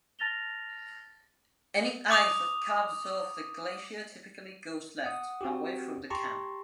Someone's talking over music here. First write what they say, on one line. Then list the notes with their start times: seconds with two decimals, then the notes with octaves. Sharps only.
Any ice that calves off the glacier typically goes left, away from the camp.
0.19 A5 F6 A6 A#6 F7 G7
2.11 D6 D#6 F7
5.04 F#5 D#6
5.41 C4 F#4 G4
6.10 G4 A5 A#5 C6 C#6